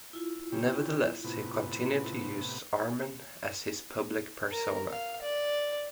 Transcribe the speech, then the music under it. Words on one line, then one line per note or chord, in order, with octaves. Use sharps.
Nevertheless, he continued to use "Arman" as his public persona.
E4 F4
C#3 G4
A2 C3 B3
A#4
F5
D5